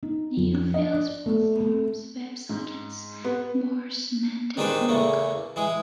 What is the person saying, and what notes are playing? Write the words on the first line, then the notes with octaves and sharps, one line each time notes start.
New fields for forms, Web-sockets, more semantic markup.
D#4
F2
D#5
D5
A3
A3
G#2
B3
D#3 G#3 D4 G4 B4 C5
E2 C#3 A3 A#3
E3 G#3 G#4